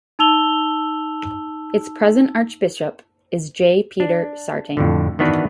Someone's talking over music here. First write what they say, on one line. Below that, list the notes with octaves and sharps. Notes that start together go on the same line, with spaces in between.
Its present archbishop is J. Peter Sartain.
D#4 A5 E6 F7 G7
D4
F2 A2 D3
D#3 E3 B3 D4 F#4 B4